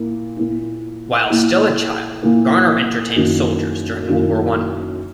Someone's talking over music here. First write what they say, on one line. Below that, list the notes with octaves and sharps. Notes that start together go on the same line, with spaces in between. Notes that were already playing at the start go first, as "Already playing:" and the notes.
While still a child, Garner entertained soldiers during World War One.
Already playing: A#2 A#3 E4
A#2 A#3 E4
A#2 A#3 E4
A#2 A#3 E4
F#2 D#3 A#3 E4
F#2 D#3 A#3 E4